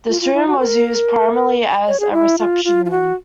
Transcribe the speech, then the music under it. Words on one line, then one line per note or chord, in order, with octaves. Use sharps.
This room was used primarily as a reception room.
F4
F4
E4
F#4
A#4
C#5
G#4
E4
F4
F4
F4
F#4